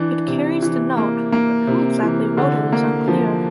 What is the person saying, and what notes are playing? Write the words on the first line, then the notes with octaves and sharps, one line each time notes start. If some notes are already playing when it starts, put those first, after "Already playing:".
It carries the note but who exactly wrote it is unclear.
Already playing: E3 D4
C3
E3
A#3
A#3
C3
E3
D3
A#3
F3